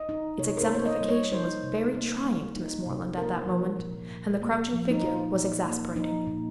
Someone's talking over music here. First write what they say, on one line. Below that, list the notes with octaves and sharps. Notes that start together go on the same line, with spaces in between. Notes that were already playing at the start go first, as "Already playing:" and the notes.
Its exemplification was very trying to Miss Moreland at that moment, and the crouching figure was exasperating.
Already playing: D#5
D#4
C3 C#5
A#4
C5
A#3 C#5
D#5
G3
C#5
D#4 C5
C3
A#3
G3
D#4
C3
A#3 A#4
F3
A#2
A#2
A#3
F3
D#4
A#2 F4
A#2
A#3
F3 D#4
A#2